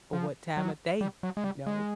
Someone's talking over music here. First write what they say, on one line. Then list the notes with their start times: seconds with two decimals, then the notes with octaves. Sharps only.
or what time of day, you know?
0.13 F3
0.57 F#3
1.01 G3
1.23 F#3
1.37 G#3
1.44 G3
1.67 G#3